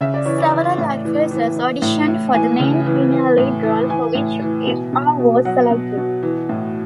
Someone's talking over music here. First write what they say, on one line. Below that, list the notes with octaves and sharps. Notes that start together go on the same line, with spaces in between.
Several actresses auditioned for the main female lead role for which Aw was selected.
C#3 E5
D5
E3 C#5
D5
E3
A2
E3
E3
E3
A2
A2
E3 G#5
C#3
E3
E3
A2
E3
E3 G#5
A2
E3
B2
B2
B2
F#3 F#5
B2
B2
E3
A2